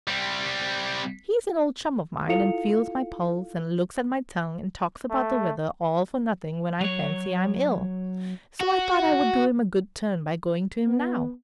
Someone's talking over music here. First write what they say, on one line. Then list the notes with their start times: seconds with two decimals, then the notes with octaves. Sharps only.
He is an old chum of mine, and feels my pulse, and looks at my tongue, and talks about the weather, all for nothing, when I fancy I'm ill; so I thought I would do him a good turn by going to him now.
0.08 G3 C4
2.28 E4 F4 A4 F5 C#7 F7
5.10 A3
6.81 F#3 C#5
8.61 F#4
10.88 B3